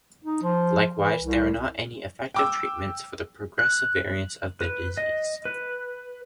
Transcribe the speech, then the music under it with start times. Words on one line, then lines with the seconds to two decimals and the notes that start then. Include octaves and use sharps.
Likewise, there are not any effective treatments for the progressive variants of the disease.
0.24 D#4
0.42 F3
0.97 E3
1.19 C2
2.34 G5 D6 E6
3.59 F#6
4.61 B4
4.97 D#5
5.45 B4